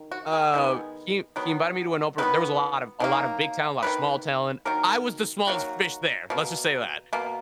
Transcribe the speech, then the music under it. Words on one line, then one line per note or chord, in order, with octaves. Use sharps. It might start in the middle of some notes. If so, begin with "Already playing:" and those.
Uh, he he invited me to an open there was a lot of a lot of big talent, lot of small talent. I was the smallest fish there let's just say that.
Already playing: D#3
F#4
G#4
D#3 G#3 B3
D#3 F#3 B3
D#3 F#3 B3 B4
D#3 F#3 A#3
D#3 F#3 A#3 B4
D#3 F#3 A#3 A#4
D#3 F#3 A#3 F#4
B2 A#3
B2 A#3